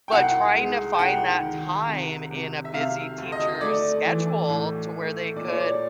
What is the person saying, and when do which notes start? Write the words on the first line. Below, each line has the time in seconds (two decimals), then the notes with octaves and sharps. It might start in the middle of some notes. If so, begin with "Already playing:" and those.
but trying to find that time in a busy teacher's schedule to where they could
0.08 G5
0.12 C2 F#5
0.55 G#3
0.93 G5
0.99 C2 F#5
1.42 D#3
1.87 C3
2.30 C3
2.65 E5
2.73 C3 F5
3.18 D2
3.32 D#5
3.61 A3 D5
4.05 E3
4.48 A2
4.92 A3
5.36 A#2 D5
5.48 C#5
5.60 D5